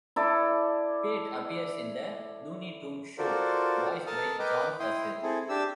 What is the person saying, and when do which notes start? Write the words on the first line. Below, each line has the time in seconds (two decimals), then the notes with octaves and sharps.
Pete appears in "The Looney Tunes Show" voiced by John Kassir.
0.16 E4 A4 D5
3.18 F4 F#4 A4 A#4 C5 D5
4.07 A4 A#4 A5 D#6 F6
4.39 A#4 B4 D#5 G5 D6
4.79 E4 G5 C6 D#6
5.23 C4 E4 G#4 A4
5.49 D4 G4 E6